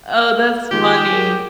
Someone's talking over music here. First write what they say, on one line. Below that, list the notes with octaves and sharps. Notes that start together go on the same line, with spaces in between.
Oh, that's funny.
D#3 F3 G#3 G4
F#4 G#4 A#4